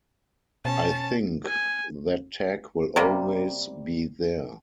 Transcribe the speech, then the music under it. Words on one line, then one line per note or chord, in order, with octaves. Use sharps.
I think that tag will always be there.
B2 C#4 A5
G#5
C3 G3 A#3